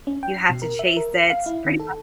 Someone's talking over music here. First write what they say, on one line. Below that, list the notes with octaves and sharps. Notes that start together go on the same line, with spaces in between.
you have to chase it pretty much
C#4
G5
C7
B2
A#4
E5
A#4
C7
F5
E4
D#3
A4